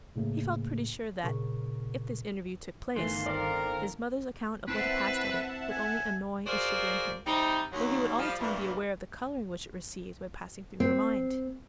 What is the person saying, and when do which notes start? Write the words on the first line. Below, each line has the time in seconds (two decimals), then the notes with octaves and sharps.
He felt pretty sure that, if this interview took place, his mother's account of what passed at it would only annoy and chagrin him, though he would all the time be aware of the colouring which it received by passing through her mind.
0.16 A2 C#3 A3 A#3
1.23 A#2 C#3 A#4 C#6
2.96 G1 D#3 E3 A3 F5 C6
3.26 C4 A4 A#4 D5
4.68 C4 E4 B4 C5 E5 F#5 A5
5.70 G#5
6.47 F4 F#4 G#4 A#4 C5 D5
7.27 C3 G3 C4 D#4
7.73 D#2 F#3
8.19 F3 G3
8.40 G2 A#2 E3
10.80 C4